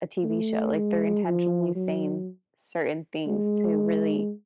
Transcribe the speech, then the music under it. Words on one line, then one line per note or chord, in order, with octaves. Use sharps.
a TV show, like, they're intentionally saying certain things to really
A3
G#3
F3
F#3
G#3